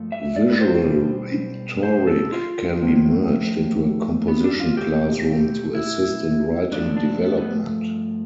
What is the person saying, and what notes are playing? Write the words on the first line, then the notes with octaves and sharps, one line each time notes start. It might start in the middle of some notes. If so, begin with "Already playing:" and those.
Visual rhetoric can be merged into a composition classroom to assist in writing development.
Already playing: G2 F3 A3
E5
D5
B4
C5
B2 G3
C5
A4
F4
A2 F3 A3
B3
D4
F4
B2 A3 G4
E4
G2 F3 A3 D4
D4
B3
B3